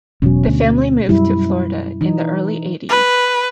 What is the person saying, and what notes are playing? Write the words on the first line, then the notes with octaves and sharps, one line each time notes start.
The family moved to Florida in the early Eighties.
E1 B2 F#3 C#4
D2
F#2 F#3 G3 E4
E3 D#4
B4